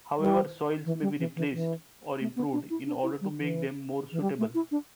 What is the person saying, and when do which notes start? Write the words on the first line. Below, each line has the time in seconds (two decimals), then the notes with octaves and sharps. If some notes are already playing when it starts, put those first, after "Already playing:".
However soils may be replaced or improved in order to make them more suitable.
0.19 G3
0.86 E3
1.02 G3
1.19 E3
1.36 E3
1.52 E3
2.20 A3
2.36 B3
2.53 D4
2.70 E4
2.87 D4
3.03 E4
3.21 G3
3.38 E3
4.12 E3
4.21 G3
4.39 A3
4.55 E4
4.71 D4